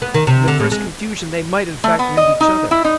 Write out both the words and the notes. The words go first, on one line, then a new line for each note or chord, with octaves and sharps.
In the first confusion, they might, in fact, wound each other.
B3
D#3
C3
D3
A2
G#3
A3
B3
D#5
D#4
E4
D#4